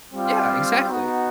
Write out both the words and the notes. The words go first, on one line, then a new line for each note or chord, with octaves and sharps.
Yeah, exactly.
G3 C4 F4
B3 D#4 F#4